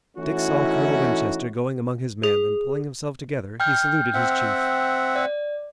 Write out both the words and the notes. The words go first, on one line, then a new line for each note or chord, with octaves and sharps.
Dick saw Colonel Winchester going among his men, and pulling himself together he saluted his chief.
E3 A3 C#4 D#4 E4 F#4
G#4
G5 F6 G6
C4 E5 F#5
D5